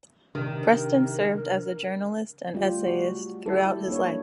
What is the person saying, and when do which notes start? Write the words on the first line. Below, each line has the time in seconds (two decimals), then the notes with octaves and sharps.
Preston served as a journalist and essayist throughout his life.
0.35 C3 D#3 D4 A#4
2.54 G3 A3 F4 G4
2.87 F#4
3.46 G3 E4 F#4 G4 A4
3.88 A#3 D4 C#5